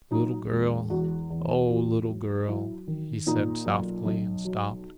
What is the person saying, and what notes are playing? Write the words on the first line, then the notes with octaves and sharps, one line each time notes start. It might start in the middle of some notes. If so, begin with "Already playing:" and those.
"Little girl--oh, little girl," he said softly, and stopped.
F#3 D#4
E1
E2 F#4
E2
E2 F#4
F#3
F#3 E4
D#3
A#2 D#4
B1
B1
F#3